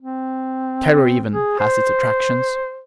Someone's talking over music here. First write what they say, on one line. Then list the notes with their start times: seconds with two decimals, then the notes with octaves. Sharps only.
Terror even has its attractions.
0.01 C4
1.31 G#4
1.59 C5